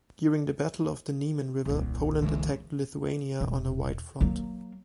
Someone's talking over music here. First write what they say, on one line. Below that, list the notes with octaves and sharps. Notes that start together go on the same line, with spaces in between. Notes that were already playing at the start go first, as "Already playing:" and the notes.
During the Battle of the Niemen River, Poland attacked Lithuania on a wide front.
D#1 C2
D3 E3 G#3
E1
F#3 A#3